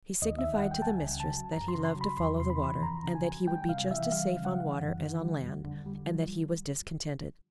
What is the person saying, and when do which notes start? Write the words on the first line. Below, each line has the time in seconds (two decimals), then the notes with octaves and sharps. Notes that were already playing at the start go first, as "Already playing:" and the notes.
He signified to the mistress, that he loved to follow the water, and that he would be just as safe on water as on land, and that he was discontented.
0.22 D#2 D#5
0.39 D#3 E5
0.55 F#5
0.66 G3
0.71 G5
0.82 A5
0.87 C#2 G#5
1.09 C#3
1.20 A5
1.31 F#3
1.52 F#2 A#5
1.68 C6
1.74 C#3
1.85 C6
1.95 F#3
2.01 B5
2.17 E2 C6
2.39 C3 C6
2.50 B5
2.60 E3
2.82 F2 A#5
3.04 C#3
3.15 G#5
3.26 F#3
3.47 G3 G5
3.69 C3 F5
3.91 E3 E5
4.12 G3 F5
4.34 C#3
4.45 F#5
4.56 E3
4.78 F#2
4.99 D#3
5.21 G3
5.42 F2
5.64 D3
5.86 G3
6.08 F3